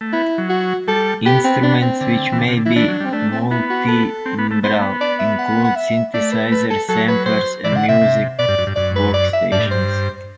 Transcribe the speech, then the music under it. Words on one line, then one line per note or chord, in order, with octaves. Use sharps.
Instruments which may be multitimbral include synthesizers, samplers, and music workstations.
A3
B3 E4
F#3
F#4
G3 A4
B3 G4
C4
D4
C4
D3
E3
D3
C3
D3
E3 E4
E3 D4
F#3
G3
C4
A3 D4
C4
B3 E4
F#4
A4
C4
B3
A3
B3 C5
A3
B3
D5
E5
F#5
F#5
E5
A3 D5
B4
B4
A4
F#3 A4
B4
C5
E3 D5
C3
D3 F#5
C3 E5
C3
B2 D5
G2
F#2
G2
F#2 D5
B4
D5
E5
G2 D5
A2
G2 C5